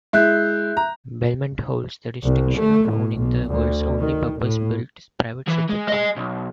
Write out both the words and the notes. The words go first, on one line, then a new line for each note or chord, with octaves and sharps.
Belmont holds the distinction of owning the world's only purpose built private subway car.
G#3 E4 E5 F#6 G6
A#5
C2
A3
A2
B1
D2
D#3
A2
E3 E4
G#3
D#5 G#5
B1